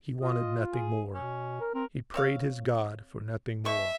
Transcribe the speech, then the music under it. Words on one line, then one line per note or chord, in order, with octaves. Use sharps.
He wanted nothing more, He prayed his God for nothing more.
F4 D#5
G#4
B2 C#4
A#4
C4 A#4
C4 C#5 F5
B2 E5 C#6